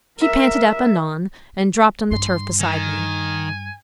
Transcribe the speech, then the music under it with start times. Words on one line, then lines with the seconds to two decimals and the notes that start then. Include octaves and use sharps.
She panted up anon, and dropped on the turf beside me.
0.19 A#4 E5
2.11 G2 C6
2.60 D#3 G#5